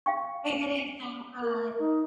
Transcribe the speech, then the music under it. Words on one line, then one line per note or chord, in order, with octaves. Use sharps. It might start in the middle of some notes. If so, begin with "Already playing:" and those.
It is so good
F5 G5 C#6
A#4
D#4